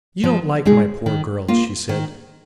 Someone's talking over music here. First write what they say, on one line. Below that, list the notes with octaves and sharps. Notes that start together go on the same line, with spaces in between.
"You don't like my poor girls," she said.
F3
G#3 D#4 G#4
D#3
A#3 F4
D#3